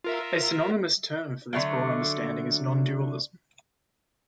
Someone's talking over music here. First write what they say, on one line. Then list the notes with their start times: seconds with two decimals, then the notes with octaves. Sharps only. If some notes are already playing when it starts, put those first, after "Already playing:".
A synonymous term for this broad understanding is nondualism.
0.04 F4 A#4 E5
1.53 D3 F#3 A3 A#3